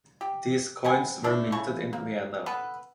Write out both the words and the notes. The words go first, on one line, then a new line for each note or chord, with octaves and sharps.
These coins were minted in Vienna.
G4
C4 B4 F#5 G#5
A3 D4 E4
C#3 A3 E4 C#6
A#3
B3 A4 B4